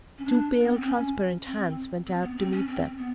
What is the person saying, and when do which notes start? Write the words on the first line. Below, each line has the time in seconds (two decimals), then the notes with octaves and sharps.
Two pale, transparent hands went out to meet them.
0.18 C#4
0.26 D4
0.61 B3
0.74 C4
0.86 C#4
1.46 C4
2.07 C4
2.22 B3
2.37 C4
2.52 C#4
2.68 C4
2.98 B3